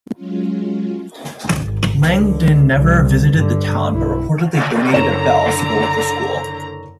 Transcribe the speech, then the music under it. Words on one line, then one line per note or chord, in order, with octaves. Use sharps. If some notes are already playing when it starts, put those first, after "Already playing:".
Langdon never visited the town, but reportedly donated a bell for the local school.
F#3 G#3 C#4 F4
G#1
C#2 D3
C2
G2 D3
B1 E4
F#1 D3 C#5 A#5 E7